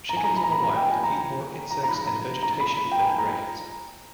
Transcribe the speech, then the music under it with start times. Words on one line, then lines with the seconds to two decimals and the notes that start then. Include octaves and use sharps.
Chickens in the wild eat more insects and vegetation than grains.
0.09 A#5
0.17 G#5
0.24 A#5
0.36 B5
0.44 A#5
0.52 B5
0.63 A#5
0.76 G5
0.90 G#5
1.03 A#5
1.71 A#5
1.83 A#5
1.89 B5
2.06 A#5
2.43 A#5
2.60 B5
2.92 G5
3.05 G#5
3.18 A#5